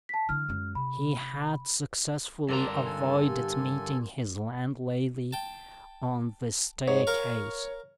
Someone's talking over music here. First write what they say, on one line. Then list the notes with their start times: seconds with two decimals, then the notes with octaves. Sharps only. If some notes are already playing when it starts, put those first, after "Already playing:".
He had successfully avoided meeting his landlady on the staircase.
0.09 A5 B6
0.29 D3 E3 F6
0.49 F#2 G#3
0.75 C3 B5
2.49 G#1 G2 D3 A4 A#4 D5 A#5 C6
2.86 A4 G#5
3.27 G4
3.73 G4
5.33 G5 A5
6.88 G#2 C#5
7.07 A#4 F5 C#6